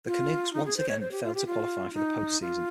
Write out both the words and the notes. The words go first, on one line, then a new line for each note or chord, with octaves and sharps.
The Canucks once again failed to qualify for the post-season.
F4
D#4
G#4
C5
C#5
C5
G4
F4
G4
F4
D#4
F4